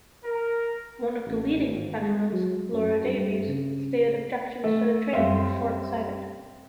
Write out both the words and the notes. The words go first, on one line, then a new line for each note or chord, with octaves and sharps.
One of the leading professionals, Laura Davies, stated objections to the change were shortsighted.
A#4
A1
G#1
G#3
F#3
F#2
G2
C#3
A3
F#2 G3 C4 C5 E5 F5